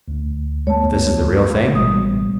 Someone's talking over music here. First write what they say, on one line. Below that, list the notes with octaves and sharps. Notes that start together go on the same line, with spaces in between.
"But this is the real thing?"
D2
G#3 A3 B3 C#5 A5
A1 B2 G3 G#3 B3 D#6